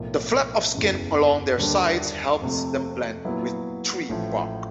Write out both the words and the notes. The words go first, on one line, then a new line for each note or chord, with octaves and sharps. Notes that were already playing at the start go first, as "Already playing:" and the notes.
The flaps of skin along their sides help them blend with tree bark.
Already playing: B1 A2 F3 A#3
F#1 E2 C#3 E3
D#2 D3 G3 A#3 D4
F2 C3 F3 A3
A#2 F#3 B3 E4
A1 A2 F3